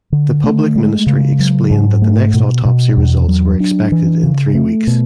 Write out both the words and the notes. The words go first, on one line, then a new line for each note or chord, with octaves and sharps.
The Public Ministry explained that the next autopsy results were expected in three weeks.
D3
A3
G#3
C#3
F#3
G#2
A3
B2
B2
E2
F#3
D4
E3
C#3
A3
B2